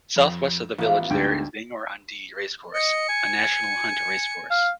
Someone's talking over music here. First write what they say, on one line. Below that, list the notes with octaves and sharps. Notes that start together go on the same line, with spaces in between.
South-west of the village there is Bangor-on-Dee racecourse, a National Hunt racecourse.
F2
A1 F3 B3 F5
D2 G#2 G5
D#5 C#7
G#5
F5